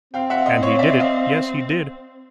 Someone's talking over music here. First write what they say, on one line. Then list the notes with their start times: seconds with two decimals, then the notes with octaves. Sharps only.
And he did it; yes, he did!
0.13 C4 F5 G5
0.30 E5 F#5
0.46 D#5 F5
0.62 C#5 D#5
0.79 D5 E5
1.00 D#5 F5